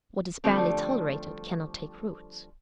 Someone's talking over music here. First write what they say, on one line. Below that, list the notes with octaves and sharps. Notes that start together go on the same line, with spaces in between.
What is barely tolerated cannot take root.
D3 F3 G3 A3 C4